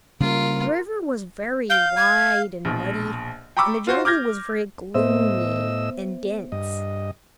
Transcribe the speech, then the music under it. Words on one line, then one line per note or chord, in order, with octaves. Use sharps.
The river was very wide and muddy, and the jungle was very gloomy and dense.
C#3 G3 A#3 F4 A#4
F5 G6
G#6
A#1 B2
G5 A#5 B5 C#6 D6 E6
F4 F#4 C5
D6 F6 G6 G#6 A#6
A2 B3 C5 D#5 E5 E6
G2 D#5